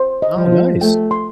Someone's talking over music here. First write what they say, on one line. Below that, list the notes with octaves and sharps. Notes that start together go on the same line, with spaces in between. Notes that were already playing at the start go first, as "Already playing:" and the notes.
Oh, nice.
Already playing: C5
D#5
F3
F4
A3 G5
C6